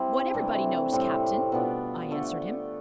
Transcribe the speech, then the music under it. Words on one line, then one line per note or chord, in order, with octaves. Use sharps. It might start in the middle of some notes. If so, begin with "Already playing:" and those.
"What everybody knows, captain," I answered him.
Already playing: G3 C4 E4
C3 E3 A3 D4
A2 G3 C4
B2 B3 D4 F4
D3 A3 D4